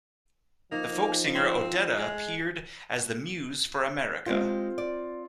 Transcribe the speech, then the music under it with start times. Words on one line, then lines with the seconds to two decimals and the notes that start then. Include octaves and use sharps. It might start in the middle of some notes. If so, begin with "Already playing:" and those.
The folk singer Odetta appeared as the Muse for America.
0.72 F3 A#3 D#4
1.35 C4
1.97 G#3
4.26 G#3 C4 F4 G4
4.78 D5